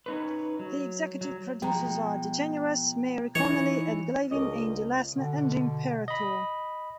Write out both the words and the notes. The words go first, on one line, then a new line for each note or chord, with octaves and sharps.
The executive producers are DeGeneres, Mary Connelly, Ed Glavin, Andy Lassner and Jim Paratore.
C#4 D#4 B4
F#3
F#3
B2 F3 G#3 G5 A#5
E3 D#4 C#5 D#5
C#2 C#4 D4 A#4 D#5
B2 D3
D#5 B5